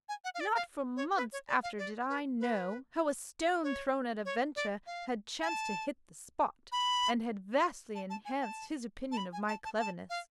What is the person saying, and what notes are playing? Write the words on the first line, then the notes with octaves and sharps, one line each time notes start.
Not for months after did I know how a stone thrown at a venture had chanced to hit the spot, and had vastly enhanced his opinion of my cleverness.
G#5
F#5
F5
D5
F5
C#5
B4
C#5
D5
F5
D5
B4
B4
C#5
C#5
D5
F5
G#5
A5
B5
A5
A5
G#5
A5
A5
B5
G#5
A5
A5
A5
F5